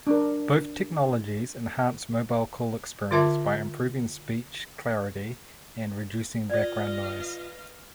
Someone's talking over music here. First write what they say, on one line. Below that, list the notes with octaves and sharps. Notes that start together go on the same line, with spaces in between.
Both technologies enhance mobile call experience by improving speech clarity and reducing background noise.
D4 A#4
D3 F4 A#4 E5 A5
F4 B4 D5 D#5 F5